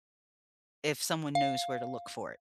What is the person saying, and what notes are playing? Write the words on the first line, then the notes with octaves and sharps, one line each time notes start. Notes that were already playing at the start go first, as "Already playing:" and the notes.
if someone knows where to look for it,
F5